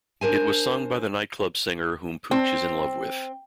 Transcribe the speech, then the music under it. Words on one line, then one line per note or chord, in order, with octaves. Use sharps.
It was sung by the night club singer whom Pooch is in love with.
D4 A#4 C5 G#5
C4